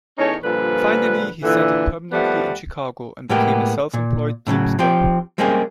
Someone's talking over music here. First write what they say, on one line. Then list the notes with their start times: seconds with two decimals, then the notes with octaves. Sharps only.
Finally he settled permanently in Chicago and became a self-employed teamster.
0.19 E2 C#4 D#4 A4 C#5
0.44 G2 A#2 D3 F3 B4
1.43 A#2 D3 E3
2.12 D#2 F3 G3 A3 B3 F#5
3.29 A2 G#3 A#3 B3 G4
3.94 A#2
4.47 A2 C#3 E3 F#3
4.79 F3 C4 G4
5.38 G3 G#3 A#3 C4 C#4 G#4